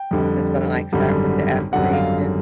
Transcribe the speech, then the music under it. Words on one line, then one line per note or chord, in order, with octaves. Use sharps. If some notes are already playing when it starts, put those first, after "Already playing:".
um, is gonna, like, start with the affirmations,
Already playing: G5
F2 D3 G3
G#1 F#2 D3 G3
G#1 F#2 D3 G3 F#5
F5